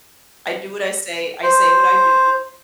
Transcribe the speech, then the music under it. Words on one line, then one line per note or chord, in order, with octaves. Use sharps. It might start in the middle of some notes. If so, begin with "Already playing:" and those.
I do what I say, I say what I do.
C5